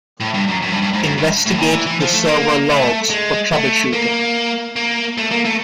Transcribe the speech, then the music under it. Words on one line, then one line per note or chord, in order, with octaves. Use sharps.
Investigate the server logs for troubleshooting.
A2
G2
F#2
F#2
G2
G2
G#2
F#2
G2
A2
A#2
E3
E3
F3
A3
A#3
A3
G#3
A3
A#3
A#3
A3
A#3
A3